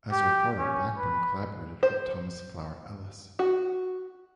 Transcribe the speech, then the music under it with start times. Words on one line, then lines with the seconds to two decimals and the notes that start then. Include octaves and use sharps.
As a reporter Blackburn collaborated with Thomas Flower Ellis.
0.12 G4
0.58 C#4
0.98 B4
1.83 C5
3.39 F#4